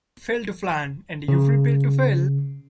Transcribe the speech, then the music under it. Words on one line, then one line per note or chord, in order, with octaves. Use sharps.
Fail to plan, and you Prepare to fail.
C#3